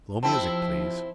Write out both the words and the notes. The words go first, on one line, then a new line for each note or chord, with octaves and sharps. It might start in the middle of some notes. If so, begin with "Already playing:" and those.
Slow music, please.
F3 C4 E4 G4 G5 A5